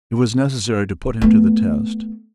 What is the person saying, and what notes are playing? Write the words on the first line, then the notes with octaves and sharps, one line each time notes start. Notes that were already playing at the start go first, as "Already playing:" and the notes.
It was necessary to put him to the test.
A3 B3